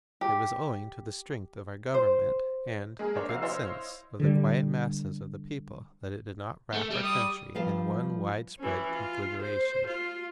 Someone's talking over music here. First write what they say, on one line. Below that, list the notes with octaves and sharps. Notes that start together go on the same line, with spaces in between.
It was owing to the strength of our Government and the good sense of the quiet masses of the people that it did not wrap our country in one widespread conflagration.
G4
C5
G#3 G#4 A#4
D4 A#4 C5 C#5
F1 F#4 F5 E6 C7
E4 C5 C#5 D#5 F5 C6
D3 G3
A3
G3
D#6
G2 F3 F5 A5
E3 C#4
F4
C5
F4